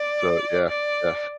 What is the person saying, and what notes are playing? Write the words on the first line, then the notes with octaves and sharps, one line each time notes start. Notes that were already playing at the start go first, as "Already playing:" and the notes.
so yeah, yeah.
Already playing: D5
D5